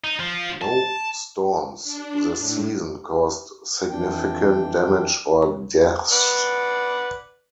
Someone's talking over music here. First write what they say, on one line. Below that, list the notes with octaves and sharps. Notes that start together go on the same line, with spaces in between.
No storms this season caused significant damage or deaths.
D#4
F3
A5
D4
A2
F2 E3 D4 G5
B4 D5 F#5